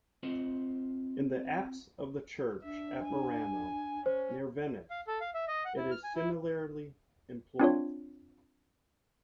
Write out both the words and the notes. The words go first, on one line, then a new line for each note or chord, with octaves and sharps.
In the apse of the church at Murano, near Venice, it is similarly employed.
C4 F4 C5 D#5 F#5
D4 E5
G#5
C#4 C5
F5
A4
F5
E5
D#5
F#5
E4
F6
G#5
E4
C4 D4 F4 C#5